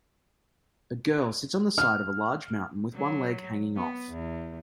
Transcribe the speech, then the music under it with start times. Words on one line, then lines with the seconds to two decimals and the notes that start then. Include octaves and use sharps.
A girl sits on the side of a large mountain with one leg hanging off.
1.78 F6
2.95 F#3
3.76 B3
4.10 E2